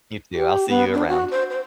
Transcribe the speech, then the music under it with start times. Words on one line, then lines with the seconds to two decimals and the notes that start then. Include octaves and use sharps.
You too. I'll see you around.
0.33 G4
0.69 B3
0.94 D4
1.09 F#4
1.31 C5
1.50 C5